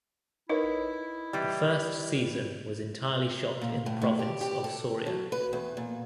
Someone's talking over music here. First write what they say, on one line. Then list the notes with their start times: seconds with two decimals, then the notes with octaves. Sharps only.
The first season was entirely shot in the province of Soria.
0.49 D#4 E4 A#4 B4 C#5 D#5
1.33 E3 G3
3.61 A#2
3.86 A2
4.01 A2
4.19 G4
4.41 G4
4.64 A4
5.06 F#3
5.32 B4
5.53 E2
5.77 A#2